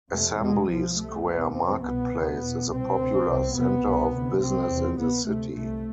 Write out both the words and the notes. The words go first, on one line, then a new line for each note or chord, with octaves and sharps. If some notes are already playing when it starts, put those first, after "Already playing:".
Assembly Square Marketplace is a popular center of business in the city.
F2 C3 A3
E2 B2 G#3
C2 B2 F3
C2 C3 A3
C2 B2 B3
F2 C3 C4
C2 B2 B3
D2 C3
E2 B2
C2 B2 C4
D2 C3
C2 C3
E2 C3 B3
C2 B2
D2 C3
C2 C3 C4
E2 C3
D2 C3 B3
D2 C3 A3
C2 C3 A3